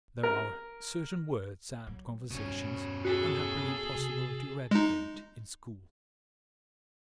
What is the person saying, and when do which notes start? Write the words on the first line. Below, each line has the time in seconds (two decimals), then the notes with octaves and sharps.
There are "certain" words and conversations unhappily impossible to eradicate in schools.
0.23 A#4
1.87 E3 F#3
2.31 E2 G2 B2 C#4
3.05 F#4 G#4 A4
3.95 C3
4.71 G#3 D#4